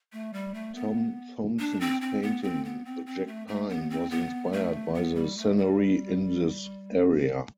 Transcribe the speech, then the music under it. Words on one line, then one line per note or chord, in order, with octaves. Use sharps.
Tom Thomson's painting, "The Jack Pine", was inspired by the scenery in this area.
A3
G3
A3
B3
D4
C4
C4
B3
C4
B3
C4
C4
A3
A3
B3
C4
B3
A3
B3
G3
A3
G3